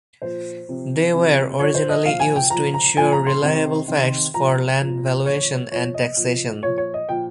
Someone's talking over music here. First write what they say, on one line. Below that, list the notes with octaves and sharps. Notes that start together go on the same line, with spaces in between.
They were originally used to ensure reliable facts for land valuation and taxation.
A#2 F3 C5
C3 F3
C3 F3
A#2 F3 C#5
C5
D#5
A#2 F3 F5
G#5
G5
A#2 F3 A#5
A#5
A#2 F3 G#5
A#5
C6
C3 D#3
C3 D#3
A#2 F3 A#5
A#2 F3
A#2 F3 C#5
A#2 F3 C#5
D#5
A#2 F3
A#2 F3 C#5
C#5
D#5
A#2 F3 G5